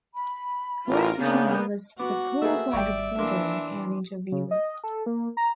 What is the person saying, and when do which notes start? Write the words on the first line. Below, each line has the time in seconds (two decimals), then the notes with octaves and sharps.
Craig Hummer was the poolside reporter and interviewer.
0.14 B5
0.87 A1 F4 A#4
1.21 C#3 A#3 B3 D4 G6
1.99 B3 F#4 D6
2.42 A3 A#3 G#4 A#4 B4 E5
2.73 G#1 G3 D5 G5 C#6
3.19 E3 A#3 D4 C6 D6
4.32 C#3
4.51 D#5
4.84 A4
5.06 A#3
5.37 A#5